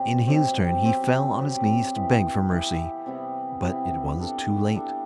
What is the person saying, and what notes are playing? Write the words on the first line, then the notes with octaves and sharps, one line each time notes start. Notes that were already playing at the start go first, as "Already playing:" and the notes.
In his turn he fell on his knees to beg for mercy, but it was too late.
Already playing: B2 F#3 C4 G4
B2 F#3 C4 G4
F#3 C4 G4
F#3 C4 G4
E3 B3 E4 G4
E3 B3 E4 G4
C3 G3 B3 E4
C3 G3 B3 E4
G3 D4 A4
G3 D4 A4